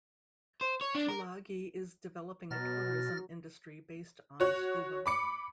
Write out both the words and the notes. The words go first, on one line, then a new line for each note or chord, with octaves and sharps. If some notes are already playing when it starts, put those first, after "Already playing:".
Tulagi is developing a tourism industry based on scuba.
C5
C#5
D4
A#4
B2 F#3 F6 A6 A#6
F#4 C#5 F#6
B5 D6 C#7